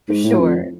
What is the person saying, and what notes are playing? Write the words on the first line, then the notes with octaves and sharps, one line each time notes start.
For sure.
G#2
A2
F2